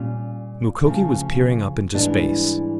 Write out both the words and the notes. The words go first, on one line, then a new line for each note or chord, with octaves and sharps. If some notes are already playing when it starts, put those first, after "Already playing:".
Mukoki was peering up into space.
Already playing: A#2 G3 C#4
D2 C#3 F3
G#2 E3 G3 D4